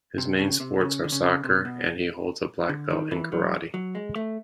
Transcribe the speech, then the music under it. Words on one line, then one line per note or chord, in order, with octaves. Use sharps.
His main sports are soccer and he holds a black belt in karate.
C3
C#3
C3
C#3
D3
C#3
C3
B2
D3
D#3
E3
F#3
F#3
G#3
A3